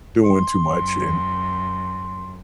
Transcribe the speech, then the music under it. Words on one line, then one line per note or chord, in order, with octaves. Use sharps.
doing too much, and
C6
F#2